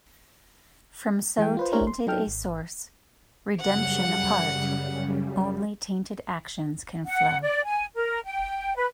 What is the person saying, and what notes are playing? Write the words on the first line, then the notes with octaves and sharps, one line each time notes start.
From so tainted a source, Redemption apart, only tainted actions can flow.
E3 G#3 G5
F4 B4 C5
D4 E4 G4 A#4 C5 C#5
C6
F#3 D#4 A4 G5 F6
G#1
F#2 C#3 G3 F#5 C#7
F#5
D5
G#5
A#4
G5
B4